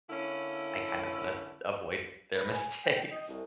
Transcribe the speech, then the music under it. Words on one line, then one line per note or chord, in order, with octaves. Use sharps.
I kind of wanna avoid their mistakes.
D3 A#3 C#4 E4
B4
G#5
G5
G5
D#5
C2